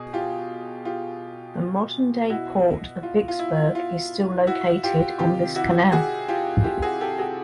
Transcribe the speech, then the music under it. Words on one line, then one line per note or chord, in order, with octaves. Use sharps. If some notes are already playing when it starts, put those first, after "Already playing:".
The modern-day port of Vicksburg is still located on this canal.
Already playing: B2 G#4
F4 G4
F4 G4
B2 E4 F#4
F4
F4
E4
F4
E4 F#4
F4 G4
C3 D#3 F4 G4
E4 F#4
F#4 G#4
F4 G4
F4 G4
F#4 G#4
G4 A4
F#4 G#4